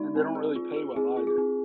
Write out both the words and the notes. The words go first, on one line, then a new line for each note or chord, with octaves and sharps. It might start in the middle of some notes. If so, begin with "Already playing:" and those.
And they don't really pay well either.
Already playing: G#3 D#4 D5
C4
G#4
F4
G#4
C4 G#4
F4
G#4
C4